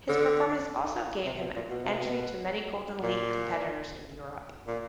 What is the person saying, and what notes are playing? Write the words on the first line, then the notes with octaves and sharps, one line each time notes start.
His performance also gave him entry to many Golden League competitions in Europe.
D3
C3
B2
A#2
B2
C3
B2
A#2
A#2